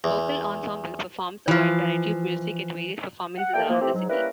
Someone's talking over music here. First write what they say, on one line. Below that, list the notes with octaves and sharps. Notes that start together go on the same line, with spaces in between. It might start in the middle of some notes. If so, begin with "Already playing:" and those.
Vocal Ensemble performs a wide variety of music at various performances around the city.
E2
E3 F3
F#5
G3 A#3 A4 E5 G5
F3 A#3
A3 C4 G4
G#2 F#3
G3 A#3 C#4 E4 A#4 B4